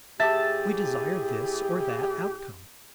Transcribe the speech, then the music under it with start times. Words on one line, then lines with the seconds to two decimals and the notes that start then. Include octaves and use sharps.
We desire this or that outcome.
0.20 A2 E4 G4 G#4 E5 A5